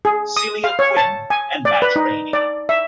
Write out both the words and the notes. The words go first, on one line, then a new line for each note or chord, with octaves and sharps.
Celia Quinn and Madge Rainey.
G#4
D#6
F5
C#5
A5
G#5
D5
B4
D#4
D5
E5